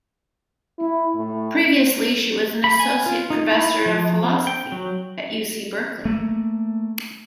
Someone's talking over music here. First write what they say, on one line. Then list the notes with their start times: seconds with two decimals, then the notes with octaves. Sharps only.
Previously, she was an Associate Professor of Philosophy at U. C. Berkeley.
0.79 E4
1.15 A2
2.64 B5
2.80 G#5
3.06 F4
3.30 D#4
3.52 E4
3.86 F3
4.23 C4
4.47 G5
4.72 F#3
6.05 A3 A#3